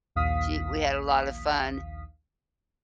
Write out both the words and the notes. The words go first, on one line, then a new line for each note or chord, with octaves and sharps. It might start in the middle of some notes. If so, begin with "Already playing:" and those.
She we had a lotta fun.
A#1 D#2 F5 D#6 B6